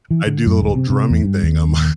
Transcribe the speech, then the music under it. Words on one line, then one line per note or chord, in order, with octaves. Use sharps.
I do the little drumming thing on my
E3
D3
F#2
D#1
C3
C3
E2
G2
D#2